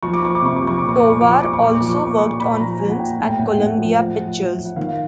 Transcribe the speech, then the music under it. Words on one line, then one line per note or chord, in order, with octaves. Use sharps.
Tovar also worked on films at Columbia Pictures.
F3 C#6
D6
F3 C#6
D6
C3 C#6
D6
F3
C#6
A#2 D6
C#6
A#2 D6
C#6
F3 D6
C#6
A#2 D6
C#6
A#2 D6
C#6
F3 D6
A#2 C#6
D6
A#2 C#6
A#2 B5
F3 A#5
F3 G#5
F#5
A#2 G5
A2 G#5
G5
A2 F#5
G5
A2 F#5
F3
F3
F3
F3
F3
F#5
D#3 F5